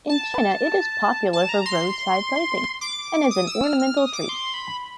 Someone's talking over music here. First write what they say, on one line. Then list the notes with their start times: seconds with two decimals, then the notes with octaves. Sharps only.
In China, it is popular for roadside planting and as an ornamental tree.
0.09 A5
1.33 A5
1.49 A#5
1.66 C6
2.81 D6
3.31 D#6
3.47 E6
3.64 F6
3.80 F6
3.97 D#6
4.13 D6
4.29 C6
4.54 B5